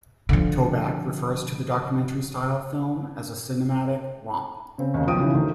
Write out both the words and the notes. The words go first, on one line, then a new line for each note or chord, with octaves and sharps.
Toback refers to the documentary style film as a cinematic romp.
D3 F3
C#3 C4
D#2 C#3 D#5
B1 F3 G5 D#6 D7
C#3 E3 D#4
D2 D3 D#3